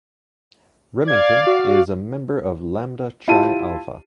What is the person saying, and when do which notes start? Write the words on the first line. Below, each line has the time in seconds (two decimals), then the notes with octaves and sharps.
Rimington is a member of Lambda Chi Alpha.
1.07 D5 F5 G#6
1.47 F#4
3.28 E4 F4 G4 A5 D#7